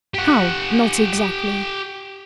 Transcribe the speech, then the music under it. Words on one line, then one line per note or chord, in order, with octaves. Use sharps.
"How, not exactly?"
G4 F#5